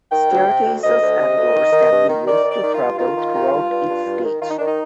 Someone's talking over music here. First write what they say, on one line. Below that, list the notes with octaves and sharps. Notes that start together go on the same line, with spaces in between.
Staircases and doors can be used to travel throughout each stage.
D#3 G5
D2
C3
D2
D2 D#5
D2
C3
D2
D#3
D#3
G2
D#3
D#3 D5
D#3
D5
D#3
F4
G2
D#3 F4
D#3
D#3
G2
G2
G2
G2
D#3
D#3 F4
D#4
D#3 D4
D#4